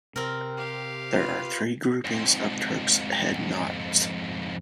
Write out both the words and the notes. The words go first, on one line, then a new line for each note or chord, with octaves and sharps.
There are three groupings of Turk's head knots.
C3 C4 A#4
G4 F5
F4 B4
F2 G#2